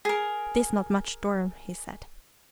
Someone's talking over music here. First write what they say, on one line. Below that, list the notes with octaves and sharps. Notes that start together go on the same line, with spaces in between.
"This not much storm," he said.
G#4 A#4